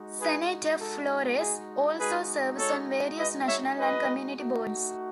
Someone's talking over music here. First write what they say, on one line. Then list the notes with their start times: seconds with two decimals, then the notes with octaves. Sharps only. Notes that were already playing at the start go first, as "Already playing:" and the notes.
Senator Flores also serves on various national and community boards.
Already playing: G#3 D#4 F#4
0.20 G#4 B4
0.80 A4
1.39 G#4
1.99 G#3 D#4 F#4 G#4 B4
2.58 A4 C#5
3.18 B4 D#5
3.47 C#5 E5
3.77 B4 D#5
4.37 A3 D#4 F#4